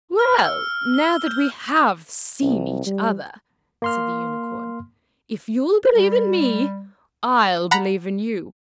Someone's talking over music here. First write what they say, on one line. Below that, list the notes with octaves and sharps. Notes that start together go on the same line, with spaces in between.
'Well, now that we HAVE seen each other,' said the Unicorn, 'if you'll believe in me, I'll believe in you.
F6
E6
G7
G6
C2
G3
A#3 C6 F6
G3
F#5 A#5 B5 B6